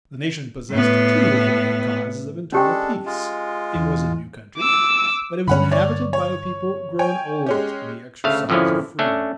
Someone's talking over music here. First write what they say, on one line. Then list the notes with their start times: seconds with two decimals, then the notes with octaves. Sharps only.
The nation possessed two of the main causes of internal peace; it was a new country, but it was inhabited by a people grown old in the exercise of freedom.
0.71 A2 B3
2.52 G#3 C#4 D4 G4 A4 G5
3.06 G#3 F4
3.75 E2 E3
4.59 D6 E6
5.48 G2 D3 C#4 F#5 B5
5.72 C#5 D5
6.13 C#5
6.99 C#5 G5 G#5
7.46 G#3 C#4 G4
8.24 D2 C#3 A3 F5
8.49 G#1 F2 D3 F3 C#4 E4
8.99 A3 C#4 D4